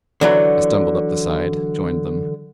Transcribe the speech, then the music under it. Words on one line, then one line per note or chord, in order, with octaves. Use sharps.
I stumbled up the side; joined them.
D3 E3 F#3